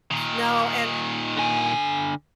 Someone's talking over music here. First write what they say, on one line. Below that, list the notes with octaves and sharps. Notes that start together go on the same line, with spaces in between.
No, and,
A#2 D#3
D3 G#5